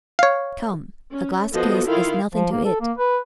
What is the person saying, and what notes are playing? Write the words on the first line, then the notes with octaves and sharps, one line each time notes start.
Come, a glass case is nothing to it.
C#5 F5
C#4
F3 B3 F#4 A4 D#5
D#3 E4 F4 F5
F3
A#3
A4
A#3
B4